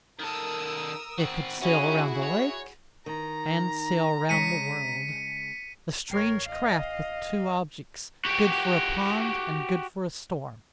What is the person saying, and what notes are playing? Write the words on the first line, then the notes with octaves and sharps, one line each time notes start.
It could sail round a lake, and sail round the world--a strange craft with two objects, good for a pond and good for a storm.
D#3 A4 A#4 D#6 E6
C4 F#4
C#4 E4 F#4 G#4
C#5
D#3 A#5
C#3 G#3 A5 B6 C#7 D#7
A1 A#4 C#5 G5 C7
D#5 F5
F#4 G4